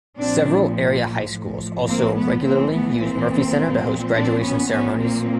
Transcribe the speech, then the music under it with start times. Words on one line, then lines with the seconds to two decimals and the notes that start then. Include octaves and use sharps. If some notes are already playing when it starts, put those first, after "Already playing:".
Several area high schools also regularly use Murphy Center to host graduation ceremonies.
0.18 A#2 F3 C4 D4
1.31 A2 F3
1.87 A#3 C4
2.15 A3 B3
2.44 A2 E3 A#3 C4
2.72 A3 B3
3.00 A#3 C4
3.57 A#2 F3
4.13 C4 D4
4.42 B3 C#4
4.70 A#2 F3 B3 C#4
4.98 A#3 C4